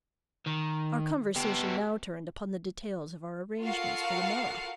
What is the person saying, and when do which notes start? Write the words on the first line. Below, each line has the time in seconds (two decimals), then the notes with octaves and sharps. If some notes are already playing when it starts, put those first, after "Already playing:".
Our conversation now turned upon the details of our arrangements for the morrow.
0.46 D#3
1.36 B3 G4
3.61 F4 F#4 A4 A#4 F5 F#5